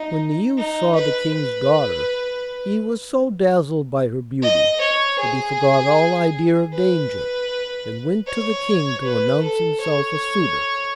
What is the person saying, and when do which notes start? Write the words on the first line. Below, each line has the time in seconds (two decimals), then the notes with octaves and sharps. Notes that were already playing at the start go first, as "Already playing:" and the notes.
When the youth saw the King's daughter, he was so dazzled by her beauty, that he forgot all idea of danger, and went to the King to announce himself a suitor.
Already playing: D#4
0.57 D#4
0.95 B4
1.34 B4
4.43 D#5
4.81 C#5
5.20 G#4
6.73 B4
8.27 C#5
9.05 B4
9.43 A4
9.81 C#5